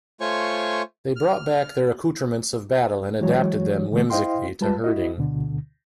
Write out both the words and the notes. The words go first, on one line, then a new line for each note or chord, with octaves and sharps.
They brought back their accoutrements of battle and adapted them, whimsically, to herding.
A3 F4 C5 C#5 G#5 C#6
F6
E3 F#3 G#3 F#4 C#5
D3 E3 A3
E4 C5 D#5 F5 G5 C6
G3 G#3 F4 B4 A5
E4 F#4 D#5
D2 B2 D3